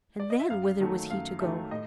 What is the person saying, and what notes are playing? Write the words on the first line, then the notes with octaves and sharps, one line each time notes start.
And then, whither was he to go?
D5
D#5
E5
F#2 F5
D#3 F#3 A3
F#2 F5
D#3 F#3 A3 E5
A2 D#5